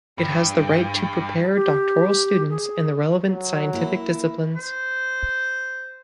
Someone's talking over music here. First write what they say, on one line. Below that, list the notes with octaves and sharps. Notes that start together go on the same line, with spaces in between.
It has the right to prepare doctoral students in the relevant scientific disciplines.
G2
G4
G#4
F#3
A#3 E4
C5